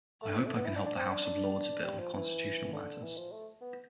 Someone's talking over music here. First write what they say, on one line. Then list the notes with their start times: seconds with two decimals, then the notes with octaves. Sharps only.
I hope I can help the House of Lords a bit on constitutional matters.
0.22 A3
0.37 F3
0.46 A3
0.56 B3
0.66 E4
0.76 D4
0.86 D4
0.96 C4
1.10 D4
1.25 D4
1.84 G3
1.99 F3
2.14 E3
2.73 D3
3.03 E3
3.17 F3
3.32 A3
3.61 B3